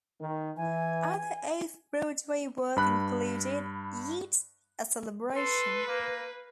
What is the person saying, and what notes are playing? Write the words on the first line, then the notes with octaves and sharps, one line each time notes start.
Other Off-Broadway work included "Yeats: A Celebration".
D#3
E3 G#5
G2 B5 F#6
A4 B4 C6
A#3